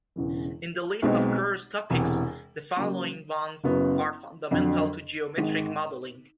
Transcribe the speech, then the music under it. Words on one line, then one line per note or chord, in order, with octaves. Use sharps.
In the list of curves topics, the following ones are fundamental to geometric modelling.
E1 E2 C#3 E3
B1 B2 G#3 C4
E1 E2 C3 E3
C#3 F#3 A#3
F#1 F#2 C#3 F#3 B3
F2 D3 F#3
G#1 G#2 D#3 G#3